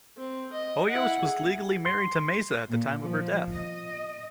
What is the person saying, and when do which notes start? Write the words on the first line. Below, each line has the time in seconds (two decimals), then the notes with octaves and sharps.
Hoyos was legally married to Mesa at the time of her death.
0.18 C4
0.53 D#5
0.89 E4 F#5
1.22 G#4
1.86 C6
2.69 A#2
3.03 F3
3.54 D#5